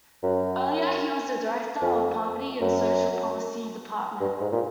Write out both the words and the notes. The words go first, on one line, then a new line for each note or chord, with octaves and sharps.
Earlier, he was the director of Poverty and Social Policy Department.
F#2
F2
F#2
G2
G#2
A#2